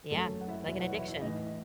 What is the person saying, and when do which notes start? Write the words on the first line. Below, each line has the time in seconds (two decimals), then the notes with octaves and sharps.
Yeah. Like an addiction.
0.11 F#2 F#3 A3 A4
0.41 F#5
0.48 E4 E5
0.67 E2 B2 F#3 E4 E5
0.80 F#4 F#5
0.95 E4 E5
1.08 E4 E5
1.21 A2 E3 D#4 D#5